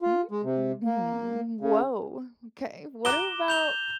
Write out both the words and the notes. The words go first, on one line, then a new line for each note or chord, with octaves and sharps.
Mm, mm, woah, 'kay, what about
F4
G#3
C3
A#3
C#3
A#5 D6 F#6 E7 G7
G6 F7 G7